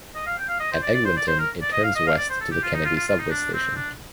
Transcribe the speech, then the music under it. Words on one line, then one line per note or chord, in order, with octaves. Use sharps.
At Eglinton, it turns west to the Kennedy subway station.
D#5
F5
G5
F5
D#5
C5
D5
D5
C5
D5
C5
A#4
D5
D#5
F5
D#5
F5
D5
C5
A4
G4
F4
D#4
F4
F4
F4
D#4
D4
C4
D4